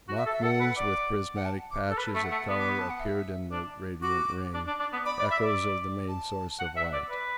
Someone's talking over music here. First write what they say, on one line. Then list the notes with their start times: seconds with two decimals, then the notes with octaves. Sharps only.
Mock moons with prismatic patches of colour appeared in the radiant ring, echoes of the main source of light.
0.08 F#4
0.17 E5
0.26 A4
0.33 E5
0.43 A4 F#5
0.60 B4
0.77 D5
1.36 F#5
1.45 A5
1.71 D6
1.90 A4
1.96 B4 B5
2.15 A3
2.23 F#5
2.31 A3
2.49 B3
2.59 D6
2.69 B5
2.79 A5
2.89 F#5
3.00 E5
3.52 D4
4.02 F#4 D6
4.54 D4
4.67 D4
4.79 D4
4.93 B3
5.05 D5 B5
5.19 D5
5.31 E5
5.44 D5
6.08 A5
6.60 F#5
6.76 E5
6.93 D5
7.11 B4